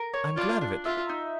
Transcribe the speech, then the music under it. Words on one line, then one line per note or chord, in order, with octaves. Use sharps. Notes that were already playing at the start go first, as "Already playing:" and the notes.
I am glad of it.
Already playing: A#4
C#5
D4 F4
D4
F4 E5
D#4